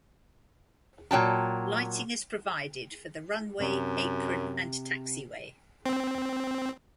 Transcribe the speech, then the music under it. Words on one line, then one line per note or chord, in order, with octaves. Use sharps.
Lighting is provided for the runway, apron, and taxiway.
A#2 F#3 G5 A5
F#2 C3
C4